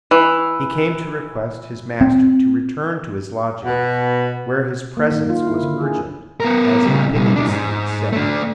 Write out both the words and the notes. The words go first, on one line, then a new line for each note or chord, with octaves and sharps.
He came to request his master to return to his lodgings, where his presence was urgent, as he piteously said.
E3
C4
B2
A#3
D#3
F4
E4
D3
G#4
B3 A#4
C#3 G3
B2 G3
D4 E4
G#2
A3 D4